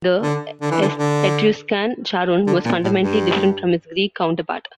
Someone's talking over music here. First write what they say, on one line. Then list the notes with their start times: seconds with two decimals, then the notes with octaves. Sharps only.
The Etruscan Charun was fundamentally different from his Greek counterpart.
0.23 D3
0.61 D3
0.71 E3
0.82 D3
0.98 D3
2.47 D3
2.65 A#2
2.84 A2
3.02 G2